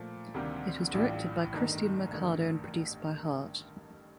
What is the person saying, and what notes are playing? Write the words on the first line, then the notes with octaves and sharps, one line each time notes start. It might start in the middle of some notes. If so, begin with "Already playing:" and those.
It was directed by Kristian Mercado and produced by Hart.
Already playing: A#2 F3 A3
D2 C3 D#3 G3 A#3
A1 A2 G3 D4 F4
G1 G2 D#3 A3 D#4
A1 G2 D#3 A3